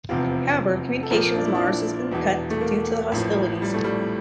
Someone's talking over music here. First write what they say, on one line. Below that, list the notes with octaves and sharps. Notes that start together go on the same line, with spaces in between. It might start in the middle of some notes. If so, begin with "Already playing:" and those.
However, communication with Mars has been cut due to the hostilities.
F1 E2 C3 F3 F4
A4
A#1 A#2 F3 A#4
D4
E4
D4
E1 E2 E3
A3
A#3
A1 A2 F3
G3
A3
G3